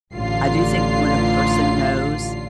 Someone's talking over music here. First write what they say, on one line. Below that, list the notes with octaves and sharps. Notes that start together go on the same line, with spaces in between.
I do think when a person knows
A1 D3 F4 C7